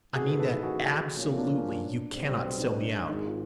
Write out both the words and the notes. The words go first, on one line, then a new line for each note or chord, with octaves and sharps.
I mean that ab-so-lute-ly you cannot sell me out.'
A1 G#2 D#3 F#4 G#4
A4 B4
A4 B4
F#4 G#4
B1 A#2 F3 A#3 C#4
D4
B1 B2 G3 C4
D#4
D4
D#4
G#1 G#2 D#3 G#3 D#4
F4